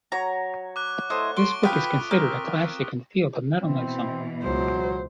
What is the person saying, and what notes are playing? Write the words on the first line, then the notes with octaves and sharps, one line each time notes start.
This book is considered a classic in the field of mentalism.
F#3 C#5 A#5
D6 F#6
A3 E4 C5 D#5 A5
C6 C#6 D7 G7
F4 B4 G5 B5 D#6 F#6 B6
C4 A#4
B2 E3 C4
C#2 F#3 C5